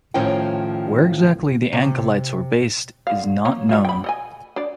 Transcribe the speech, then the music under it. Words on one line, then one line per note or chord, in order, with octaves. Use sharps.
Where exactly the Ancalites were based is not known.
A2 D#3 F3 C#4 C5 G5
C3
D3 F5
A#3 C#5 A#5
G3 F4
G5 B5
A4 D#5 G#5
D4 D5